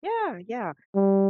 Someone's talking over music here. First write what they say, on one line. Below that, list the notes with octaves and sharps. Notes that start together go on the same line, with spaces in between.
Yeah, yeah,
G3